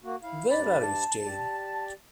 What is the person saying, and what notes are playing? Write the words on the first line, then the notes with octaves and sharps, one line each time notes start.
Where are you staying?
A#3 F#4
E4 F5
G2 D5 B5
A5
G4 D5